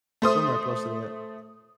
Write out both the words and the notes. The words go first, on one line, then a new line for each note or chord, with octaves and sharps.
somewhere close to that.
A3 C5 D#6